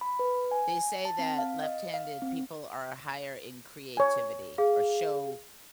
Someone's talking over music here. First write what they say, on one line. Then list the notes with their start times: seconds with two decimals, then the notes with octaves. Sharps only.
They say that left-handed people are higher in creativity or show
0.01 B5
0.19 B4
0.51 G#5
1.05 A5
1.19 C4
1.38 F5
1.63 D#5
1.94 F5
2.22 C4
3.97 C#5 G#5
4.58 G#4 F5